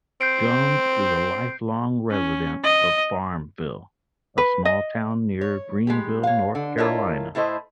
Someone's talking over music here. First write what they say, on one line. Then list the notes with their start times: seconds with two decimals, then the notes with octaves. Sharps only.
Jones is a lifelong resident of Farmville, a small town near Greenville, North Carolina.
0.21 C4 G6 C7 D7
2.11 C#4
2.64 D#5
4.38 B4
4.65 D#5
5.41 C#5
5.87 G#3 B3 G4
6.23 C#5 F5
6.55 D3
6.78 E4 F4 A4 A#4 C#5 D#5
7.35 A2 A3 E4 C5 D#5